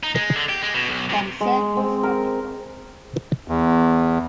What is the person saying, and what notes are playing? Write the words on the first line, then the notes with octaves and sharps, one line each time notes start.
Fonsègue was skeptical.
D#4
G#3
D3
G4
G#3
B2
B1
C3
G#3
C4
A#4
E2